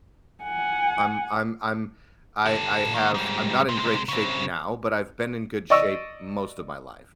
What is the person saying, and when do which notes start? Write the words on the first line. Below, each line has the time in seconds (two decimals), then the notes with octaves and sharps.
I'm I'm I'm I I have I'm not in great shape now, but I've been in good shape most of my life.
0.43 F#5 G#5
2.46 G4 A4
2.94 D#3 A#3
3.14 G#2 G3
3.69 C3 G#3
4.09 C#3 C4
5.70 D5 D#5 C#6 E6